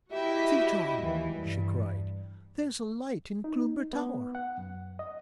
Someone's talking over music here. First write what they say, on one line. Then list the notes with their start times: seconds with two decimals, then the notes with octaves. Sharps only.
"See, John," she cried, "there is a light in Cloomber Tower!"
0.12 E4 F#4 G4 D#5 E5
1.02 D#2 E3
1.33 G2
3.44 D#4
3.93 B3
4.35 F#5
4.58 F#2
4.99 D#5